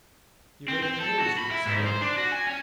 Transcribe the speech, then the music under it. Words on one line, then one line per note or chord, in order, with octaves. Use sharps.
"You bring me news, do you say?"
C4
C4
A4
F#4
B5
E4
G#2
C5
D4
F#4
G#5
C#4